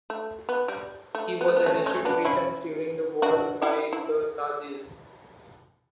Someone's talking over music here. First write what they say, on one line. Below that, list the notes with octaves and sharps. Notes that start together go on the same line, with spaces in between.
He was arrested three times during the war by the Nazis.
A3
B3
G3
A3
B3
A3
B3
A3 C#4
A3 C#4
B3 D4
C#4 E4
D4 F#4
E4 G4
E4